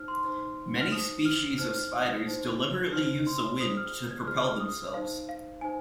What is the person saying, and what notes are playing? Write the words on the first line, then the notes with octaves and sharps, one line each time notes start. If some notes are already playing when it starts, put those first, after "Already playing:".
Many species of spiders deliberately use the wind to propel themselves.
Already playing: D#4 C5 F6
C6
D#4 C5
F6
D#4 C5 D#6
F6
D#4 C5 F6
F6
D#6
G#6
D#4 C5
D#4 C5 F6
C6
F4 G#4 C5 D#6
F6
G#6
F4 G#4 C5 F6
F6
D#6
D#4 C5 F5
F5
D#4 C5 G#5